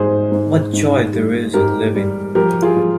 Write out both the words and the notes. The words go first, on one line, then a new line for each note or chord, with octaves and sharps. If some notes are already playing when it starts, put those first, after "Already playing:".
What joy there is in living.
Already playing: G#2 G3 G#4 C5
G#2
G#2
G3
G#2 G4 A#4
G3
F3 G4 A#4
F4 G#4
F3